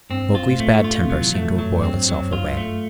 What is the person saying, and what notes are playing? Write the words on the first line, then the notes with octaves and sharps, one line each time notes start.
Mowgli's bad temper seemed to have boiled itself away.
G2 C4
F4
A2
A3
A#2 F4
C3
F#3
E3
A3
F#2 F#3
G2
C4
G2
F#3
F#2
G2 F4
A3